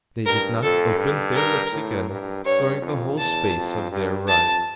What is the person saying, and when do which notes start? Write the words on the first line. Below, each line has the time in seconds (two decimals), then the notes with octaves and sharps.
They did not open their lips again during the whole space of their ride.
0.26 G2 A#4
0.62 F2 A4
0.99 G2
1.35 A#4
1.73 A2
2.09 G2
2.45 G2 C#5
2.82 F2
3.18 E2 A5
3.55 F2
3.92 G2
4.28 F2 A5